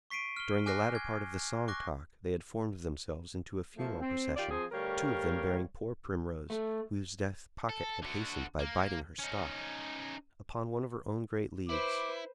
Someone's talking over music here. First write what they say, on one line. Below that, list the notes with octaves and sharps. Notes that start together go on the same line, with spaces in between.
During the latter part of the song-talk, they had formed themselves into a funeral procession, two of them bearing poor Primrose, whose death Pocket had hastened by biting her stalk, upon one of her own great leaves.
C#6 B6 C7 D7 D#7
F6 G7
G#5 D6 F6 F#6 A#6 C7
G#6
C#6 D6 F#6 A#6
F3 A3 A#3
C4
D#3 F4 G4 D5
F3 C4 G#4
D2 G3 G4 A#4 C#5 F5
A3
A4
D3 F#4
A#3
C#4 D#4
E4 B4 C5 D6